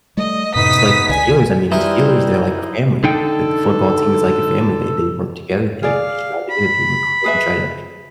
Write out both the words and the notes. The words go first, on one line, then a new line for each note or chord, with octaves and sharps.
it's like the Steelers. I mean, the Steelers, they're like a family, the the football team is like a family, they they work together, they they strive together, they work hard and try to,
G3 A3 D#5
F#2 A2 C3 B3 D#4 B4 D#6 B6
C#2 D3 G#5
E3 G3 D#4 E4 A#4 C5
D3 D#4 A4 G5
G#4 D5 F5
B5
G#4 B4 E5